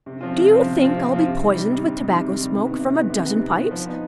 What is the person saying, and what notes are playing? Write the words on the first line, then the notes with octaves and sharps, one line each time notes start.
"Do you think I'll be poisoned with tobacco smoke from a dozen pipes?"
C3
F3 C4 F4
C3
F3 C4 F4
C3
F3 C4 F4
C3
F3 C4 F4
C3
D#3 G3
C3
D#3 G3
C3
D#3 G3
C3
D#3 G3
C3
D#3 B3
C3
D#3 B3
C3
D#3 B3
C3
D#3 B3
F3
B3 D#4